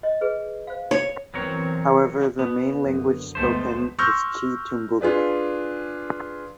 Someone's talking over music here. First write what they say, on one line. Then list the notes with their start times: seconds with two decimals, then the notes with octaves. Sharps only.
However the main language spoken is chiTumbuka.
0.03 D#5
0.21 G#4 B4
0.67 C5 F5
0.91 C#5
1.34 B2 E3 F#3 C4 A#4 C#5
2.39 B2 B3
2.83 F#2 D3
3.35 D2 G#3 A3 B3 C5
3.98 C6 C#6 E6 F6 G6 A#6
5.01 D4 F4 G#4 B4 D5